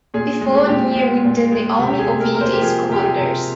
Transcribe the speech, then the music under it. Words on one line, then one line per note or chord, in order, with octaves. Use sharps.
Before Neerwinden, the army obeyed its commanders.
A#2 G#4
G#3
G#4
A#2 G4
G#3 G4
A#2
G#3
C3
G4
G#4
C3
A#4
A#3 A#4
C5
G4
F3 G#4
C3 G4
G#4
C3